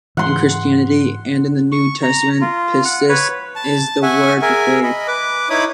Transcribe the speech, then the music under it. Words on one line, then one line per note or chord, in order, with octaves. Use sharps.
In Christianity and in the New Testament, Pistis is the word for "faith".
G#2 E3 F#5 C6
C#6
A#5
F4
F#5
B4 C#5
A5
E5 F#5 G#5 C#6
G#4 A#4 E5 G#5
D#5 B5
B4 D6
D#4 E4 C#5 B5 D6 D#6